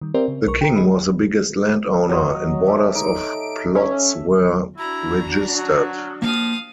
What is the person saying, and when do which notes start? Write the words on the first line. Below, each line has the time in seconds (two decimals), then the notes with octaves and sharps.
The king was the biggest landowner and borders of plots were registered.
0.01 D#3 G3
0.14 C4 G4 A#4 C5 D5 E5
0.28 C#3
0.46 B1 A#4 C#6
0.61 G5 A#5
0.76 G#3 G#4 D#5 B5
2.09 F#3 C#5 D#5
2.66 A3 G4 A4
2.95 D#4 D7
3.75 C#4 E5
4.78 D4 E4 F#4 A#5
5.54 F#3
6.22 F3 A#3 F5 G5 D#6